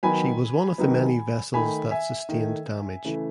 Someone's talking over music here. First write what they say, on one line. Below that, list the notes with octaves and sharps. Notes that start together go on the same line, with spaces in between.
She was one of the many vessels that sustained damage.
D#3 F#3 B3 G#5 B5
D#3 F#3 B3
D#3 A3 G#5 B5
E5 G#5
D#3 A3
C#3 E3 A3